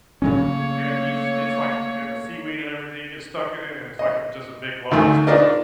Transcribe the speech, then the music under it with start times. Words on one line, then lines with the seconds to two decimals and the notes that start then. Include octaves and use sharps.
and it eves it's like and the seaweed and everything gets stuck in it, and it's like a just a big glob of stuff.
0.22 C#3 F#3 A3 A#3 C#4 C#5
3.99 D#5
4.91 D2 D#3 A3 G#5
5.27 D4 D#4 F4 A#4 D5 D#5